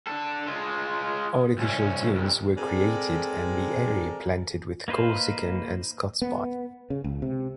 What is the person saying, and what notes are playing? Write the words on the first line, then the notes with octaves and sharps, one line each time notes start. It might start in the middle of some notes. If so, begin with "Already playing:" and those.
Artificial dunes were created and the area planted with Corsican and Scots pine.
D4 A4
G#3 F4
C2 C#4
C2 F2
G#3 C4 A4 A#4 D5
A#3 D#4 B4 C5 F5
B3
C#3
C#2
C3